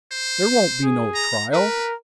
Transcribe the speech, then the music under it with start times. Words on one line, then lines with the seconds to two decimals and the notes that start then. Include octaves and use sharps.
There won't be no trial.
0.12 C5
0.84 G#4
1.15 A#5
1.53 A#4 B4